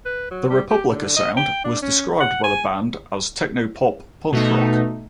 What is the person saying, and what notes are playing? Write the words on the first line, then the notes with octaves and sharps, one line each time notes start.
The Republica sound was described by the band as "technopop punk rock".
B4
F#3
G3
G4
D3
D#5
G5
D4
C#4
F#5
G#5
B2 A3 D#4